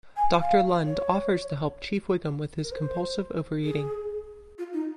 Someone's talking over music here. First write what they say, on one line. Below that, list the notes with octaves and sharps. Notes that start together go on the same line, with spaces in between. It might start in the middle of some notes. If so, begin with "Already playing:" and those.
Doctor Lund offers to help Chief Wiggum with his compulsive overeating.
G#5
F5
C#5
A#4
C5
G#4
F4
D#4